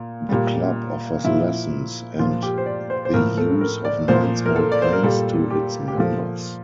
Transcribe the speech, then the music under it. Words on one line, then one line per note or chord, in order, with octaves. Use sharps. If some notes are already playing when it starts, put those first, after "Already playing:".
The club offers lessons and the use of nine small planes to its members.
Already playing: A#2
A#2 G3
A#2 F3 E4
A#2 F3 F4
G4
C5
D5
C5
C5
A2 F3 A#4
A4
A#4
D5
A#2 F3 C5
A#4
A4
D5
C5
A#4
A#2 G3 A4
G4
G4
A#2 F3 A4